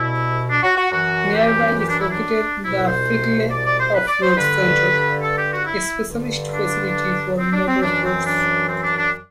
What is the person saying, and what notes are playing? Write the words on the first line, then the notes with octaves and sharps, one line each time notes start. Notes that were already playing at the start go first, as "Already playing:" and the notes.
Nearby is located the Frickley Off-road Centre, a specialist facility for motorsports.
Already playing: C2 B2 E4
D4
F#4
F#4
F#2 E3 F#4
G4
G4
D4
E4
D4
C2 B2 E4
C5
D5
D5
C5
B4
D5
C5
G2 D3 B4
A4
G4
F#4
E4
G2 D3
D4
C4
D4
C4
F#2 E3 D4
C4
D4
C4
D4
D4